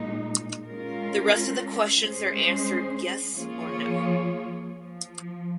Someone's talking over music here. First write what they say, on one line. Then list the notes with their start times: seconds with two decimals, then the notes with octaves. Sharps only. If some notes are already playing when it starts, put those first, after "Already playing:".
The rest of the questions are answered "yes" or "no".
Already playing: A#2 G#3 D#4
0.65 G#3 C#4 F4 A#4
2.00 G#3 C#4 G#4 C5
3.34 F3 A#3 F4 G#4 C#5
4.67 F3